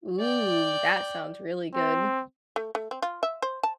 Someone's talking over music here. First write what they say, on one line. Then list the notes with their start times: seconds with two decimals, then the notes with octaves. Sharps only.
Ooh. That sounds really good.
0.19 D5 G5
1.74 C4
2.56 A3
2.75 A3
2.91 C4
3.02 F4
3.23 E5
3.42 C5
3.63 A5